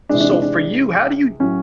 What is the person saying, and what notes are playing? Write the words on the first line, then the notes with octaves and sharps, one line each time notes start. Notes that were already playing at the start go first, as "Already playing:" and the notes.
So, for you, how do you
C3 E3 G#3 D4
D4
D4
D4
A2 F#3 C#4